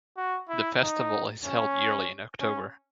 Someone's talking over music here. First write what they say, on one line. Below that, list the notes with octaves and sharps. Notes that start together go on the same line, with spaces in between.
The festival is held yearly in October.
F#4
E4
D#4
C#4
C#4